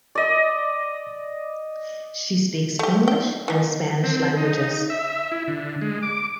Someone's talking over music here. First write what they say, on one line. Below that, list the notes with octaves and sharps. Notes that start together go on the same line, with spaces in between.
She speaks English and Spanish languages.
D5 D#5
A3 G4
G5
E3 D#4
C4
D#4
E5
E4
D3
G#3
D6